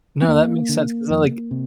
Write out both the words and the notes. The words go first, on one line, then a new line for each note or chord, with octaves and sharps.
No, that makes sense, 'cause I like
C4
D#2 A#3
D3
F2
C3